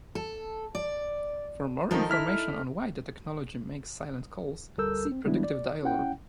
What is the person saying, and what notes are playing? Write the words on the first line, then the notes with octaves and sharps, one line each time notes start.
For more information on why the technology makes silent calls, see predictive dialer.
A4
D5
D#3 F3 D#4 A4 A#4
E4 F6 B6
D2 G3 A4 A#4 E6 G6
C4
D#3 G3 G#3 B3 D4 E4
D5
C#4 E4 F#5 G5